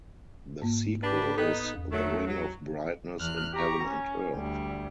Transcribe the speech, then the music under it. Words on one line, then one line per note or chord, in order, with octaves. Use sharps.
The sequel is "The Ring of Brightness in Heaven and Earth".
G#2 A#3
D4 G4 B4
B3 D#4 A4 G5
E2
D#3 F#3 A3
F#3
E2 F6 F#6
G4 A#5 C#6
C#4
D2 G3